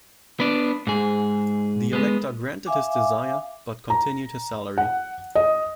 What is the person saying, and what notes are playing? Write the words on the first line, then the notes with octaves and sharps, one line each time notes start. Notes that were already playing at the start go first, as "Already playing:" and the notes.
The elector granted his desire, but continued his salary.
B3 D4
G#2 G#4
G#3 B3
E5 F5 G#5 D6
A#5
F#5
D#5